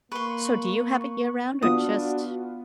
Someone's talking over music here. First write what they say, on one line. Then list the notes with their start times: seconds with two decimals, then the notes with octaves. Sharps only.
so do you have it year round, or just
0.12 A#3 B4 C6 C#6
1.63 B3 D4 F4 F#4 D#6